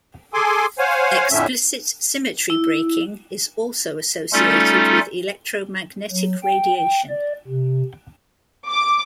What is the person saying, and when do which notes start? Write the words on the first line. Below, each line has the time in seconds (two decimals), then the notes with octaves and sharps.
Explicit symmetry breaking is also associated with electromagnetic radiation.
0.34 G#4 A4 G#5 C6 D6
0.79 C5 C#5 F5 F#5 G#5
1.31 F2 A2 D3 A3 C#4 E5
2.50 E4
4.33 G3 A3 C#4 D#4 F4 A4
6.12 F#3
6.43 G5
6.76 G5
7.09 D5
7.47 C3
8.69 D6